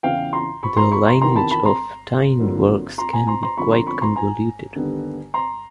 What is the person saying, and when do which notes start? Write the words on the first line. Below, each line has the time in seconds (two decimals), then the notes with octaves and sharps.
The lineage of tie-in works can be quite convoluted.
0.03 E2 C#3 E3 F5 G5
0.33 A#5 C6
0.63 B5 C#6
0.77 A#5 C6
0.92 B5 C#6
1.06 A#5 C6
1.21 E2 C3 D#3 A#5 C6
1.36 A5 B5
1.51 A5 B5
1.65 A#5 C6
2.39 F2 D3 F#3 A#3
2.98 A#5 C6
3.13 G#5 A#5
3.27 A#5 C6
3.43 A#5 C6
3.57 G1 F2 D3 B5 C#6
3.72 A#5 C6
3.87 B5 C#6
4.01 A#5 C6
4.16 G#5 A#5
4.75 D#2 D3 G3 B3
5.34 A#5 C6